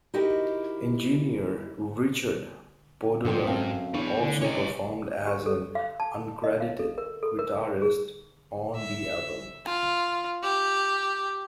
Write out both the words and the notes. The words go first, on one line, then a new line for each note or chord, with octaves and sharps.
Engineer Richard Podolor also performed as an uncredited guitarist on the album.
D#4 E4 F#4 G4 A#4 D#5
G#2 D3 F3 A4 G5
F#2 C4 F5 A5
E2 D4 C#5 B5
A2 D3
C3 C#4 C#5 D#5
G4
A4
F5
A5
D#5
F5
A4
A#4
A4
A#4
G#4
E5
F4
G4